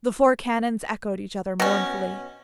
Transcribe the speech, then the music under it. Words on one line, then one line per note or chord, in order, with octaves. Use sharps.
The four cannons echoed each other mournfully.
B2 C#4